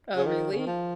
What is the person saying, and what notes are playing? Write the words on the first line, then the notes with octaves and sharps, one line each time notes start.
Oh, really?
C#3
D#3
C#3
D#3
F3